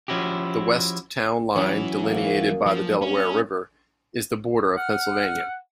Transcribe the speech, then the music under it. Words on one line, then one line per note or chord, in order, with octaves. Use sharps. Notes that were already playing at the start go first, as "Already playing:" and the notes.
The west town line, delineated by the Delaware River, is the border of Pennsylvania.
F3 C#4 E4 F#4 G4
E3 F#3 C#4 G#4 C#5
F#2 A#3
F3
C#4
F#5 F6